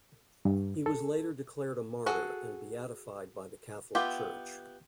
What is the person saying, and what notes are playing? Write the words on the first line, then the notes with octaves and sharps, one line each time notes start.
He was later declared a martyr and beatified by the Catholic Church.
G2
A4
F#4 G#4 A4 F#5
B3 F4 G4 E5